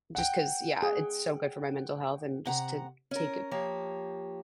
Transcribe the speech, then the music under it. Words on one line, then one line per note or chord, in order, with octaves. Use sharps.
just 'cause, yeah, it's so good for my mental health and just to take a
F#5 G5
G#4
C3 F#5 A#5
C#4 A#4
F3 A#3 G4 C#5